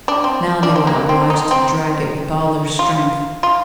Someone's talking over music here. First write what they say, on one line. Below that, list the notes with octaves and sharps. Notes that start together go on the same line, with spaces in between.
Now they were obliged to drag it with all their strength.
D4
C4
D4
C4
A#3
C4
D#4
C4
F4
F4